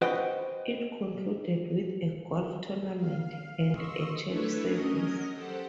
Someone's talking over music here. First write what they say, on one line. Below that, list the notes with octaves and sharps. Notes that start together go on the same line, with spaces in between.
It concluded with a golf tournament, and a church service.
F#4 B4 C5 D#5 F#5 G5
F5
D#5 C6 C#6 E6
A3 D4 E4 A4 B4 C#5
F#3 C#4 A#4 D#5 D#6
G4 A4 C5 F#5